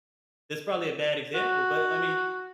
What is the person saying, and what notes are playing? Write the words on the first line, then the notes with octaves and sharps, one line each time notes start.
it's probably a bad example, but, I mean,
F#4